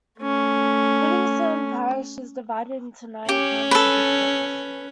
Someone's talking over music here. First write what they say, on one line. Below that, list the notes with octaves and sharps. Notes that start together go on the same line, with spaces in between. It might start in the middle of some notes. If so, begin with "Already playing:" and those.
Livingston Parish is divided into nine council districts.
A3 C#4
C#4 G4
A4 B4